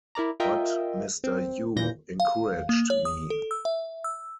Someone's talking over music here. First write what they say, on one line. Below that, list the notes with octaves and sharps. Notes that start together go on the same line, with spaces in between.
But Mr. Yu encouraged me.
E4 A#4 D5 A#5
F4 A#4 D#5 E5 G5
C4
A#2 E3 G6 A#6
F5
A#3
C#5
D#6
A4
E6
E5
E6